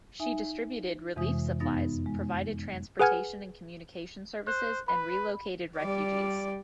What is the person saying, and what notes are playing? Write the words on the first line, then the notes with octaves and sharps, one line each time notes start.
She distributed relief supplies, provided transportation and communication services and relocated refugees.
D#4 E5 G#5
F2 C3 E3 G#3 D#6
F#2 B3 D#4 A6 A#6
G#3
G#4 B4 F#5 G#5 F6 G#6
C5 F#6
B4 B5
G3 D5